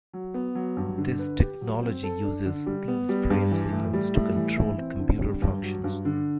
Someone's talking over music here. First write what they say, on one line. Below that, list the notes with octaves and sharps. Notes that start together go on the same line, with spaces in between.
This technology uses these brain signals to control computer functions.
F#3
B3
F#3
G2
D3
B4
G4
F#3
C4
A4
D4
D3
G3
B3
G3
G2
E3
A2
G3
A2
E3
E4
C4
D3
G3
G2
F#3
G2
D3